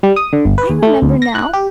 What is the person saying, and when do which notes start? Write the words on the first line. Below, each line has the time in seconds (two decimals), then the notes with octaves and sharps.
I remember now!
0.03 G3
0.16 D#6
0.33 D3
0.45 G1
0.58 B4
0.70 D#2
0.83 A3
1.02 D2
1.22 A#6
1.35 F#6
1.53 G4